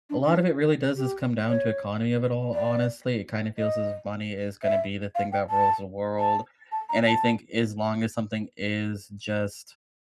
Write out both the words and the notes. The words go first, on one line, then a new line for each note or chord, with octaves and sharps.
a lot of it really does just come down to economy of it all, honestly. It kinda feels as if money is gonna be the thing that rules the world. And I think as long as something is just
D4
D4
G4
C#5
D5
D#5
E5
F5
G5
A5
A5
A5
A#5
A5